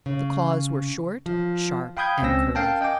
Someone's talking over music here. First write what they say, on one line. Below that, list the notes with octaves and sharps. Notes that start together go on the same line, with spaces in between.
The claws were short, sharp, and curved.
C#3
F3
F5 G5 B5 D#6 G6 G#6
C#2 C4 C#4 E6 A#6
C#4 A#4 F5 G5 A5
D#5 G5 G#5 D6